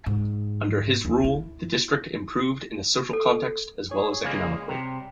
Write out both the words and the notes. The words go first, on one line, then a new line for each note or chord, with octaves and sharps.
Under his rule, the district improved in a social context as well as economically.
G#2
D#2
E4
A4
G#4 C#5
C#3 G#3 A#3
C3 G3